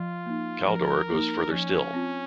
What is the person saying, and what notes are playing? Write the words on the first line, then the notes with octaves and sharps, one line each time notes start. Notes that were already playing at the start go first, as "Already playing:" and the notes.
Kaldor goes further still.
Already playing: F3 F4
A#3 D#4
F3 A#4
A#3 D#4
F3 C#4
C4 F4